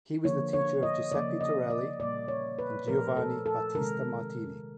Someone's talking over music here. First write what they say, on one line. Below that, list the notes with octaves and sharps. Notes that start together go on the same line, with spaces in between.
He was the teacher of Giuseppe Torelli and Giovanni Battista Martini.
D3 F3 A#3 C#5
C#5
D#5
C#3 F3 A#3 D5
D#5
D5
A#2 G3 A#3 D5
C#5
B4
A#2 F3 A3 A#4
A4
A4
C3 D#3 G#3 A#4